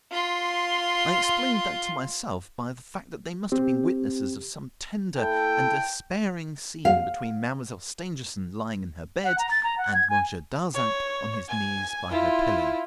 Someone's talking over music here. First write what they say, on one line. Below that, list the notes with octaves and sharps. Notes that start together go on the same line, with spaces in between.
I explained that to myself by the fact that they must have been witnesses of some tender and despairing scene between Mademoiselle Stangerson, lying in her bed, and Monsieur Darzac on his knees by her pillow.
F4 C6
C4 G4
A#3 E4 A4 G5 A5
F5
F#5
A#5
A6
A#5
F#5
G#6
G#5
C#5
G#5
E4 F4